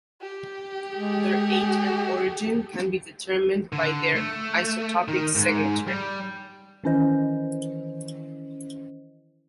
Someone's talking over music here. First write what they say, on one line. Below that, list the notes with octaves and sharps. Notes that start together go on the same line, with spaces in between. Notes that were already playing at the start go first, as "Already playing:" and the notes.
Their age and origin can be determined by their isotopic signature.
G4
G#3 G#4 A4
D3
A3
D#3
G#2
G3
D#3 E3 C#4 E4 C5 D#5